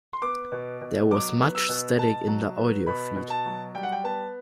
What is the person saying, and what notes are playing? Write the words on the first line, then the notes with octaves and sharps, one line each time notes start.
There was much static in the audio feed.
C6
B3 D6
B2
B2
F#3 D6
B3
E6
B2
B2 A5
F#3
B3
B2 B5
B2
A5
F#3
G3 G5
F#5
G5
B3 A5